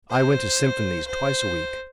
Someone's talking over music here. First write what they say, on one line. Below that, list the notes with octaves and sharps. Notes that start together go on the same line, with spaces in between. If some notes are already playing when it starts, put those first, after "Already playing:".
I went to symphonies twice a week.
C5
C5